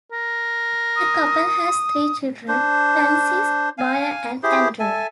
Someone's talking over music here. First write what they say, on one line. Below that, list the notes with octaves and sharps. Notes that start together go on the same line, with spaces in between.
The couple has three children, Francis, Maya, and Andrew.
A#4
D#6
D4 C5
F5 G#5
E4 G4 G#4 C5
A4 E5 G#5 A5